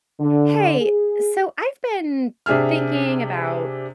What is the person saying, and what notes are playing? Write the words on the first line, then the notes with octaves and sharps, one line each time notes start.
Hey. So I've been thinking about
D3
G#4
C3 D4 G#4 E5 F6